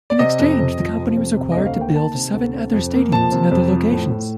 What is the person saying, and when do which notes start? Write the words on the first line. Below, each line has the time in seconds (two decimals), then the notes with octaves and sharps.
In exchange, the company was required to build seven other stadiums in other locations.
0.10 D5
0.19 C3 D#5
0.39 F2
0.59 F2
0.78 F3
0.98 C3
1.17 F2
1.37 C3
1.52 D2 D#5
1.66 F5
1.76 A#3
1.81 G5
1.95 D#3 A5
2.15 C3
2.34 D2
2.54 C3
2.73 F2
2.94 A#3
3.12 F3 A5
3.32 C3
3.51 F2
3.71 F3
3.91 A2
4.10 A2